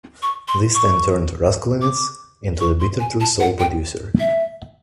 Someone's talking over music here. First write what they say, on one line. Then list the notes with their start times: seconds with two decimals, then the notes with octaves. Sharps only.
This then turned Raskulinecz into "The Bitter Truth"s sole producer.
0.22 C#6
0.48 C6
0.75 C#6
1.81 D6
2.60 C#6
2.80 C6
3.00 G#5
3.20 A5
3.40 F#5
3.59 G5
4.20 E5